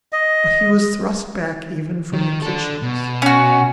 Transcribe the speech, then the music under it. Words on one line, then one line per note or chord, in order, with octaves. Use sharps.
But he was thrust back even from the kitchens.
D#5
D#3
D4 A4
B2
C#4 F#4